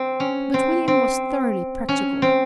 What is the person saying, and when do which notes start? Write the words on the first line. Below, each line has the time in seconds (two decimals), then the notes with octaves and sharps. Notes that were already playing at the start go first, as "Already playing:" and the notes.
But William was thoroughly practical.
Already playing: C4
0.20 C#4
0.54 C4
0.88 C4
1.89 C#4
2.22 C4